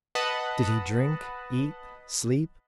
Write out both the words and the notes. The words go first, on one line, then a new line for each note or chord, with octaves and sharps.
Did he drink, eat, sleep?
B4 D#5 F#5 A5 B5